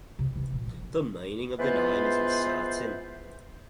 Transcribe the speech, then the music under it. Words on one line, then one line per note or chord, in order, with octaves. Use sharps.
The meaning of the name is uncertain.
C3
E3 D#4
A#2
F3
E3 G#3 B3 F4 B4 C5